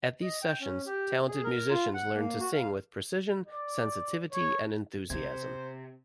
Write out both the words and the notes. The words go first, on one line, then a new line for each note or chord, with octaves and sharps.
At these sessions, talented musicians learned to sing with precision, sensitivity, and enthusiasm.
D#5
G5
C#4
G4
G#4
A#4
F4
F#5
A#3
F#4
F5
D5
C#5
C3 B3 C5 G#6